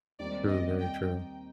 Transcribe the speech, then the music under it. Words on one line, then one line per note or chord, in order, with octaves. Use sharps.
True, very true.
D#2 D#3 G3 C4 D5
D#5
G5